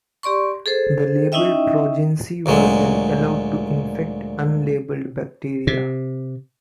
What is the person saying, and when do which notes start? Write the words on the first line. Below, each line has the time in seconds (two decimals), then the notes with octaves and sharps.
The labeled progeny were then allowed to infect unlabeled bacteria.
0.23 G4 D5 C6 C#6
0.66 G#4 A4 C5
1.32 C#4 D#4 E4 D#5 E5 G5
2.46 D2 A#2 F#3 G#3
5.67 C3